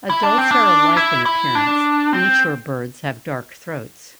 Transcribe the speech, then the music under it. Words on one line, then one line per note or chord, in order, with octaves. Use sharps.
Adults are alike in appearance; immature birds have dark throats.
E4
D4
C4
D4
E4
E4
D4
C4